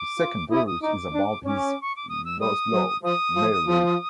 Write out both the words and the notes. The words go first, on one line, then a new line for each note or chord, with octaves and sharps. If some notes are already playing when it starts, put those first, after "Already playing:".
The second verse is about his lost love, Mary.
Already playing: D6
F4
E4 D#6
D#6
D#4 D6
D4
C#4 D6
C#6
D6
D#6
E6
G3 D#6
F#3
F3 D#6
F3
F3